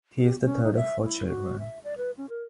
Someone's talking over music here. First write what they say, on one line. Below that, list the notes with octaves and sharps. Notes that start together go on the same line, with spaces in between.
He is the third of four children.
G4
C#4
D#4
E5
E4
F#4
E5
D5
B4
C#4
A#4